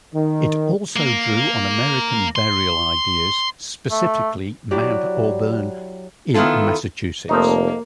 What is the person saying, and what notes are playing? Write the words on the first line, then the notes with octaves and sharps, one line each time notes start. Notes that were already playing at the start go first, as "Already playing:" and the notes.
It also drew on American burial ideas, specifically Mount Auburn in Massachusetts.
D#3
A#3
C6
A3
F#3 E4 G4 D5
D#3 B3 E4 F4 A4
F1 F3 A3 A#3 D#4